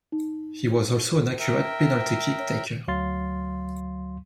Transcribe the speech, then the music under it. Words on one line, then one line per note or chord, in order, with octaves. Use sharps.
He was also an accurate penalty kick taker.
D#4
A#4 E5 G5
C#5
D2 F#3 F5 C6 A6